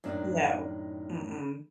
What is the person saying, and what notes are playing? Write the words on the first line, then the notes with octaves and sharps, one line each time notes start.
No. Mm-mm.
F#2 A2 D#3 D4